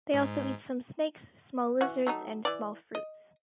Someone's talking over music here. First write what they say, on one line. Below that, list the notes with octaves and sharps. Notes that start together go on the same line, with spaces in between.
They also eat some snakes, small lizards and small fruits.
G#2
E3 F#4
F#3 A3 D#4
E3 D5
D#5